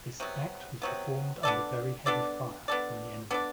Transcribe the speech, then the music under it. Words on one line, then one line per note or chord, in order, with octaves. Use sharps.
This act was performed under very heavy fire from the enemy.
C3 F#3 B3
C3 F#3 B3
B3 D4 A4 D5
B3 D4 A4 D5
B3 D4 A4 D5
B3 D4 A4 D5